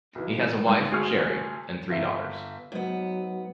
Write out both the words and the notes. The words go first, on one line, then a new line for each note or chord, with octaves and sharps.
He has a wife, Sherri, and three daughters.
B1 E3
G#2 G#3
D2 G#4 G#5 C#6 F6 F7
G1 E5
G#2 F#3 B3